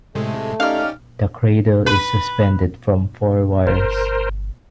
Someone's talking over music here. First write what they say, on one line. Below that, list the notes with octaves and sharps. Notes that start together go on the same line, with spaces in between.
The cradle is suspended from four wires.
A2 C3 G#3 A3 A4
C#4 D#4 G4 D5 F5 F6
B4
G1 A#4 C5